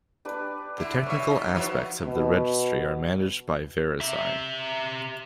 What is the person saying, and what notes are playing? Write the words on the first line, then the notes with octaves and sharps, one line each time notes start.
The technical aspects of the registry are managed by VeriSign.
D4 G4 B4
D3 E4
B2 C#5 E5
D#4
F3 F#3 E4 F#4 B4
B2
G4 E5